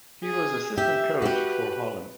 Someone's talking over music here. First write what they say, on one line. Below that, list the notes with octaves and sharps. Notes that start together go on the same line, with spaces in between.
He was Assistant Coach for Holland.
G#4
G4 E5
F#4 G4 B4